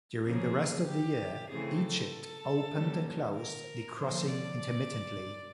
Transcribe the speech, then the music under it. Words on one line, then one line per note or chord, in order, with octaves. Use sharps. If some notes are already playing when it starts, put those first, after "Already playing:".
During the rest of the year Egypt opened and closed the crossing intermittently.
C#3 F3 A#3 C#4 G#4
G4
C#3 E3 A3 C4 G#4
A4
D3 G3 A#3 C#4
A#4
D3 F3 A#3 C#4 C5
D5